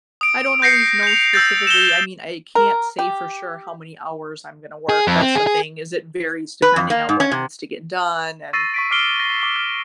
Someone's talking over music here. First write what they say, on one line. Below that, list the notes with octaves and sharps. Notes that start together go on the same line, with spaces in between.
I don't always know specifically. I mean, I can't say for sure how many hours I'm gonna work, that's the thing, is it varies depending on what needs to get done, and,
D#6 D7
G6 A#6 C7 C#7
G6 F7
E6 G6 A6
E7 G7
A#4
G4
G#4
F2
C4
G#4
G#4
B4
F2
A#3
G#2
C#4
C3
C#6 E6 A6 A#6 C7 D#7
C#6 B6 D7
D6 F6 C7 D7 G7
A#6 G7
D6 G7
F6